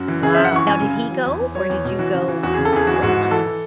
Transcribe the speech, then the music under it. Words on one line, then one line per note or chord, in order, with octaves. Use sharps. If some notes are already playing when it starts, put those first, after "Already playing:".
Wow, now did he go or did you go? Oh, nice.
Already playing: F#2 F#4
E3
C#3 G#4
F#2 E5
F#5
E3 C#6
F#2 G#5
C#3
E3
F#3
E2
E2
F#3 C#5
E2
B2
E3 F#4
C#3
E3
E2 F#4
C#3 G#4
A4
E2 G#4
E3 F#4
G#4
G#2 F#4
E3
E3 A4
E3